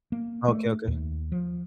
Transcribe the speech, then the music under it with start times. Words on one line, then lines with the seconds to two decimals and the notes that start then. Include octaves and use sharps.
Okay, okay.
0.12 A#3
0.48 A3
0.88 D#2
1.32 F3